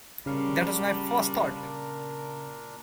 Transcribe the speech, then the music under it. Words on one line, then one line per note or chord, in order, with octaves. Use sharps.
That was my first thought.
A#2 C#3 G3 D4 A#4 F5 C#6